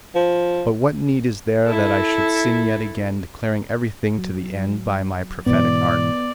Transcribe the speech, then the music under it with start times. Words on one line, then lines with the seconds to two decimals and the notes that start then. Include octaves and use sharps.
But what need is there that I should sin yet again declaring everything to the end by my prophetic art?
0.15 F3
1.66 E4 A4
4.18 F#3
5.46 G#2 B2 E3 B3 D5